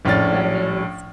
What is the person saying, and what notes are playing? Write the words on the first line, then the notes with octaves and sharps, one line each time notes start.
That is.
A#1 A2 C#4 D4 F6 A6